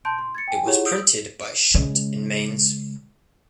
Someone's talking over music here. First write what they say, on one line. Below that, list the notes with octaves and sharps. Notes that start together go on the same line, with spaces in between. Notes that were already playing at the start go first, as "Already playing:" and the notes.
It was printed by Schott in Mainz.
A5 C6 G6 D7
C6
G#6 A6 C#7
G5 G#5
E4 F4 G4 G#4 C#5 F#5
D#6 E6 G6 D7
C#3 G#3